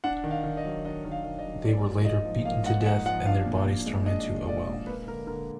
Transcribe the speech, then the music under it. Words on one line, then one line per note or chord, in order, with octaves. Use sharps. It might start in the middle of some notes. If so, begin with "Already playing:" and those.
They were later beaten to death and their bodies thrown into a well.
D4 F#5
D#3
F5
D#3
D#5
F#3
D4 D#5
D#3
F5
D#3
D#5
F#3
A#3 D5
G#2
D#4 D#5
F3
A#3 F5
G#2 F#5
D#4 F#5
F3 F#5
D4 F5
A#2
A#2
G#3
D4 D#5
A#2
A#2 D5
G#3
A#3 B4
D3 A#4
D3 A#4